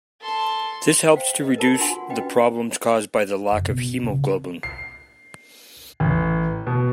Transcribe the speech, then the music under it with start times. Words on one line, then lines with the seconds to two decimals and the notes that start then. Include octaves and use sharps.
This helps to reduce the problems caused by the lack of hemoglobin.
0.21 A4 C6
1.15 C5 F5 G5
1.40 B4 D#5
1.58 A#4 A5 B5
1.79 D4 F4 F#4 F#5 G#5 C6
2.10 C#4 F#4 B4 D#5 G5
3.52 F#1
3.67 B2
4.04 C#3
4.63 C7
6.00 A1
6.67 B2